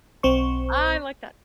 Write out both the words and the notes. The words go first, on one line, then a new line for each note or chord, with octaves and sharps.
I like that.
B1 C4 C5 C#6